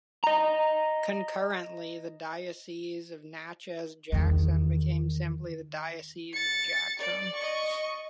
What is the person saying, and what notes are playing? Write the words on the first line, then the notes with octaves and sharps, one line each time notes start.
Concurrently, the Diocese of Natchez-Jackson became simply the Diocese of Jackson.
D#5 A#5
E2 D#3
A6 C#7
D5
D#5 C#6